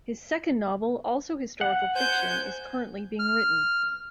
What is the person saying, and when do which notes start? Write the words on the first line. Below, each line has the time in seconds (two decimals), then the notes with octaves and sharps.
His second novel, also historical fiction, is currently being written.
1.61 F#5
1.96 C5 G#5 G6
3.19 F6